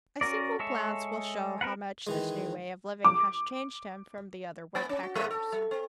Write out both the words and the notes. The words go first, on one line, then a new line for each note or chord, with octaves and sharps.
A single glance will show how much this new way of living has changed him from the other woodpeckers.
C#4 F#4 A#4 D5
G#3 A4 C#5 E5
C4 A#4 B4 F#5
D#3 E3 G#3
D6
A#3
C#4
F#4
G#3
A4
G3
C4